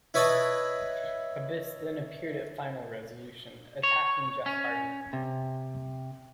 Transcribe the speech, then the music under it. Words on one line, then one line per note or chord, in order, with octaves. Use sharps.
Abyss then appeared at Final Resolution, attacking Jeff Hardy.
E4 B4 C#5 D#5 A5
C#5
C#4
C3